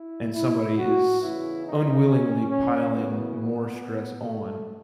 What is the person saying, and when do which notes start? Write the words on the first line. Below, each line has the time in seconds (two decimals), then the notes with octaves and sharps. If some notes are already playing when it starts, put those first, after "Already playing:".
and somebody is unwillingly piling more stress on,
Already playing: E4
0.33 E4
0.77 F#4
1.20 E2 C#3 E3 E4
1.63 D#4
2.06 C#4
2.49 C#4
2.92 F#2 C#3 E3 B3
3.36 B3
4.21 A3